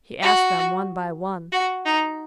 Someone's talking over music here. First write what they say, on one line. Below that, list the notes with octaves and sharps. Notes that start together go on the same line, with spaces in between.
He asked them one by one.
F#4
F#4
D#4